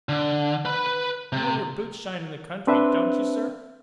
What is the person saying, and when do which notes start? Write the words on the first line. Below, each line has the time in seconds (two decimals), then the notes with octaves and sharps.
"You want your boots shined in the country--don't you, sir?"
0.09 D3
0.65 B4 B5
1.32 C3
2.67 C4 D4 B4 C5 E5